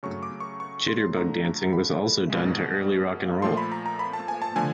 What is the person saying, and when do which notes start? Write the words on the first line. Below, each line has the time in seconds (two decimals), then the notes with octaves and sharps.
Jitterbug dancing was also done to early rock and roll.
0.03 C#3 F#3 A3 C#6
0.23 D6
0.40 C#6
0.60 C#6
0.88 C6
1.17 D3 F3 A3 A#5
1.45 A#5
1.73 B5
2.30 B2 G#3
3.42 A#2 F3 A3 C6
3.57 B5
3.72 A#5
3.86 A#5
3.99 B5
4.13 A5
4.28 G#5
4.42 A5
4.56 D3 F3 A3 G#5